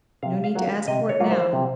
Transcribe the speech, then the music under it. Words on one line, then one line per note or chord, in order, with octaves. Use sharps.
No need to ask for it now!
C3 F5
F5
F#3 A#3 F4
F5
C3 D#5
C#5
F#3 A#3 F4
C5
C3